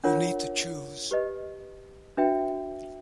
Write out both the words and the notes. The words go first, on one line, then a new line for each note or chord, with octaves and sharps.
You need to choose.
D4 F4 A#4 C#5 F#5
G4 B4 D#5
D4 F#4 B4 E5 G5